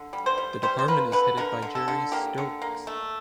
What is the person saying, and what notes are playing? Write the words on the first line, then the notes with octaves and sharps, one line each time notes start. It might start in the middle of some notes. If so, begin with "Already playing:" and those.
The department is headed by Jerry Stokes.
Already playing: D3
G3
C5
G3
G3 C5
C5
A#3 B4
D3 B4
D3 A#4
D3
A4
D3
A#3 G4
D3
A#3
A3